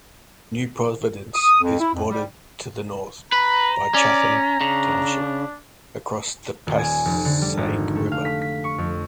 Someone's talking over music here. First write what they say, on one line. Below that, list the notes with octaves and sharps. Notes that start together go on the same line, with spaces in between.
New Providence is bordered to the north by Chatham Township, across the Passaic River.
D#6
F2
E4
F2
G3
B4 A#5 B5
C#4 D5
C#3 D4
D#1
G#5
F1
D3
G3
G#1
A3
F5
B6
B6
C#6
F2